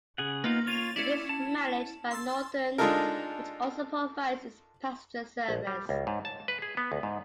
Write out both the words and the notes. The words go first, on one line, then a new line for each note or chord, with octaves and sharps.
It is managed by Northern, which also provides its passenger service.
C#3 G#4 F#5
A#3 B3 D#4 F4
F4 C#5 A6 D#7 F7
C#4 E4 D5
A5
C6 E6 A6
G#3 D4 D#4 F4 A4 A#4
A#1
G3
C#2
G#2
A5
B4
G#4
B3
D2
G#2